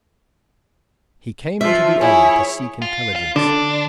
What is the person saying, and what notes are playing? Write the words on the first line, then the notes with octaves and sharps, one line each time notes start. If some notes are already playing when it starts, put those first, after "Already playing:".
He came into the alley to seek intelligence.
F3 F4 E5
E4 G#4 C#5 G#5
F4
F4
D3 D4